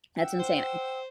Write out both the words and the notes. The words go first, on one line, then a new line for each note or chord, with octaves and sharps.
That's insane,
F#5 G5 E6
C5